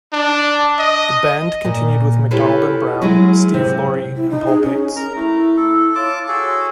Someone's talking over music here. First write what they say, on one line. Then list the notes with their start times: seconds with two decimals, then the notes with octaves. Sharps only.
The band continued with McDonald and Brown, Steve Loree and Paul Paetz.
0.12 D4
0.79 D#5
1.65 A#2
2.31 E4 F4 G4 A4 B4 C#5
3.02 F#3 G#3 E4 F4 G#4
3.54 C3
4.16 E4
4.30 D#4
4.46 G#4
4.62 C#4
4.96 A#4 A#5
5.15 A3 E4
5.57 A4
5.95 F4 C#5 A5 D6
6.28 F#4 G#4 A4